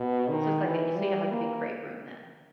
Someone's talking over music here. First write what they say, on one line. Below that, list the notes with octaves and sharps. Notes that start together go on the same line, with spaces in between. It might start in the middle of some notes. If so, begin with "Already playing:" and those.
So, it's like, a so, you have, like, a big great room then.
Already playing: B2
D#3
E3
G3
A#3